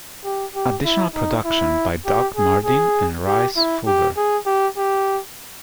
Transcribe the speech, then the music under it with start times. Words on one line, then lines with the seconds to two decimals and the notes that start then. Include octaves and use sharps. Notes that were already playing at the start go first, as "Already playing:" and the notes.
Additional production by Doug Martin and Rhys Fulber.
0.24 G4
0.55 G4
0.85 E4
1.15 D#4
1.45 E4
2.06 G4
2.36 G#4
2.65 G#4
3.26 G4
3.56 E4
3.86 G4
4.16 G#4
4.46 G4
4.77 G4